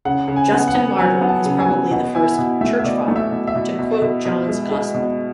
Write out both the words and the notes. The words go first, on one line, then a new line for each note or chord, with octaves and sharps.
Justin Martyr is probably the first "Church Father" to quote John's gospel.
C#3 F#5
C#3
G#5
B3
F#5
B3
F#3 G#5
B3
A5
C#3
G#5
B3
B2 F#5
E4 G#5
B2
A3 E5
E5
B2 D5
A3
E5
B2
E5
B2
B2
B2
B2
G#3
G#3
B2